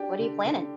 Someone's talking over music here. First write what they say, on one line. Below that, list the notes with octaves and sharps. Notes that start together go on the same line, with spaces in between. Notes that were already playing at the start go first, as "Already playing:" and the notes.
what are you planning?
Already playing: D4 G4
D3
D3